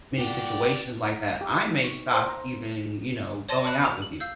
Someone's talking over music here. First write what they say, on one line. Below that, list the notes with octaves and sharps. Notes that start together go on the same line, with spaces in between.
many situations like that, I may stop even, you know, going out with you,
F#4 G4 D5
A#5
G4
D#4
C#6
C5
A#5
C#5 D5 A5 C6 A#6 D#7
A5 B5 F#6
F7
F#7
F5 E6 G6